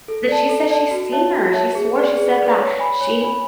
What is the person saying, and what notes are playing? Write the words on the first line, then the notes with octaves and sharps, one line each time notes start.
That she said she's seen her. She swore, she said that she
A4
D5 A5
A4
D5 A5
F#4
C#5 E5 A5
F#4
C#5 E5 A5
G#4
B4 D5
G#4
B4 D5
C#5
G#5 B5
C#5
G#5 B5